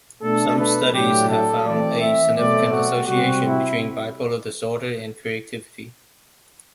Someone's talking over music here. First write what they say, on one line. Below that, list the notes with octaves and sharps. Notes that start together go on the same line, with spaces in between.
Some studies have found a significant association between bipolar disorder and creativity.
B2 A3 D4 A4
B4
A2 F#3 A3 D4 G4
A4
E3 A3 C4 D5
E5
B2 F#3 A3 C4 D5
F#4
C3 G3 C4 F#4
E4